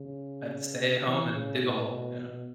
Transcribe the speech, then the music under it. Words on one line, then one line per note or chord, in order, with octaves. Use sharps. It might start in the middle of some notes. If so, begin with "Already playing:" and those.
I have to stay at home and dig a hole," you know.
Already playing: C#3
E3
C#3
A2
B2
B2